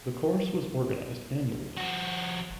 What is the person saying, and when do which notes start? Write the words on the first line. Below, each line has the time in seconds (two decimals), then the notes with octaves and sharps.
The course was organized annually.
1.78 F3 F#4